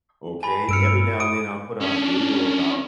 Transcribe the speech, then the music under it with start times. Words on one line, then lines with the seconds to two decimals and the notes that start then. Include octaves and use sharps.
Okay? Every now and then, I'll put out a video about
0.43 G#5 A5 B5
0.69 G2 E6 F6 C#7 D7
1.20 D#6 D7
1.81 C#4 D4